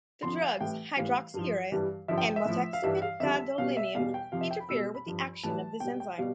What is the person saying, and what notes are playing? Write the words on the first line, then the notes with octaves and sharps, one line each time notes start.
The drugs hydroxyurea and Motexafin gadolinium interfere with the action of this enzyme.
F2 D3 F3 C6
F5
A2 E3 G3 G5
A2 E3 G3 F5
G2 F3
G2 E3 G3
G2 D3 F3 E5
G5
G5
E5
A2 F3
F5
G2 E3 G3 E5
F5
F2 D3 G3 E5
B2 G3 F5
E5
E2 B2 G3 F5
G5
F2 C3 F3 F5
E5
G5
B5
B2 G3 E6
B5
G2 F3
A2 E3 G3 A5
B2 G3 G5
G5
B2 G3 F5